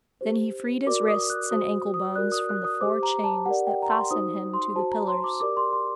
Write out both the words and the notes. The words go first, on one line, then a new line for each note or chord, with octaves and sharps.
Then he freed his wrists and ankle-bones from the four chains that fastened him to the pillars.
G4 C5
F#4 A#4 D5 D6
D#6
F#6
F#4 C5 D#6
D#6
F#4 A#4 D5 F#6
D#6
F#6
D#6
G4 C5 D6
A#5
A5
G4 A#4 D5 F#5
G5
A#5
C6
D#4 F#4 C5 D#6
C6
F#4 C5 A5
A#5
C6
D6
G4 A#4 D5 D6
C6
C6